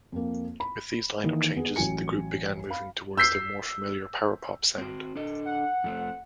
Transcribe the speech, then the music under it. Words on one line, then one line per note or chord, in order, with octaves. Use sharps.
With these lineup changes, the group began moving towards their more-familiar power pop sound.
F2 A#3
B5
D#3 E3 A#3 D#4
B3 G#4
A1 F#3 F#4 G#5 C#7
F5 B5
E6 G6 B6 C7
C4 F#4
D4 A4 D#5
F#5
F2 A3 C4